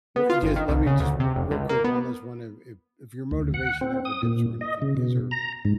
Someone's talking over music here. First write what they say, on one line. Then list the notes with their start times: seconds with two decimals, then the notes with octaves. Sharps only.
Well, e just let me just r real quick, one last one if if if your motivation ever dips or anything, is there
0.16 B3
0.30 F4
0.43 G1
0.56 D#3
0.69 C2
0.87 C#3
1.00 D2
1.20 C3
1.36 F1
1.51 C#2
1.69 A#3
1.84 B3
3.31 D2
3.54 F#5
3.81 C4
4.05 D#6
4.23 A#2
4.61 D#5
4.82 C#3
4.97 B2
5.31 A#5
5.65 G#2